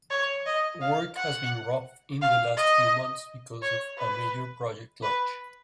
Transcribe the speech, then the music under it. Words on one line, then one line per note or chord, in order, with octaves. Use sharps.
Work has been rough in the last few months because of a major project launch.
C#5
D#5
F5
F#5
F5
D#5
C#5
B4
B4